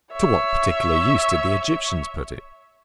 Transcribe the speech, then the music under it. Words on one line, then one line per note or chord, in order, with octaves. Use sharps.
To what particular use did the Egyptians put it?
C#5 E5